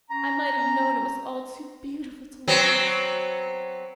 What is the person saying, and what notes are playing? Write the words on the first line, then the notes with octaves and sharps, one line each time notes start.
I might have known it was all too beautiful to last.
C#4 A#5
F#3 B3 C4